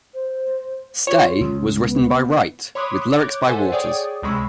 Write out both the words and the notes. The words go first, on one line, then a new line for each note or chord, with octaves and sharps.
"Stay" was written by Wright, with lyrics by Waters.
C5
F4 C#5
C#2
B3
C#5 B5 C6 D6 D#6 F#6
C#5 D6 F#6 G6
A4 C5 E5 F#5 G#5
G#4 C#5 D5 G5 D#6
C#2 C3 G#3 B5 C#6 E6